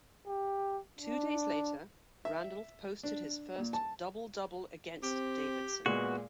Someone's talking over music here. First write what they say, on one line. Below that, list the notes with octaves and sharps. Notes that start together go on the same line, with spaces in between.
Two days later, Randolph posted his first double-double against Davidson.
G4
D4
E5
D4
A#2
A5
C4 G4
A#2 G#3 B3 F#4